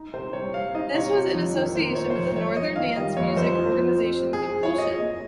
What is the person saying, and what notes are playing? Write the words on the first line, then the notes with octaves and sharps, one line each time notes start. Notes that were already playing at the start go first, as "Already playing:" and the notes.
This was in association with the Northern dance music organization, Compulsion.
Already playing: D#4
C3 C5
G3 C#5
C4 F5
D#4 D#5
C3 C#5
F4
F2
D#3
A#3 C5
F4 C#5
C5
F2 C#5
F2 C#5
F2 D#5
D#3 F5
G3 D#5
F2 C#5
F2 C5
F3
F3
C4
G4
F3 G#4
F3 C#5
G#4 D#5
A#2